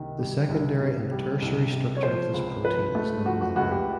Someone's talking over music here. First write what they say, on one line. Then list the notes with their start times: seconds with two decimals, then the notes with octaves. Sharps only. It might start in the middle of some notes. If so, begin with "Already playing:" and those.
The secondary and tertiary structure of this protein is not well known.
Already playing: C2 D#3
0.19 G3
0.49 C2
0.80 C3
1.11 G3
1.42 C2
1.72 C3
1.97 C#5
2.03 F3 C5
2.33 C#2
2.64 F3 B4
2.95 A3
3.26 F3 F#4
3.41 F#4
3.56 C#2 F#4
3.71 G4